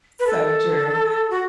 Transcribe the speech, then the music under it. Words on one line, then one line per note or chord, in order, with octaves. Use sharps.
So true.
B4
A4
F#4